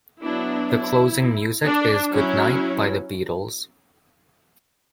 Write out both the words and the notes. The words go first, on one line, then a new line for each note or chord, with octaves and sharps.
The closing music is "Good Night" by The Beatles.
F#3 B3 D4 E4
E4
D4
F#3 C#4 E4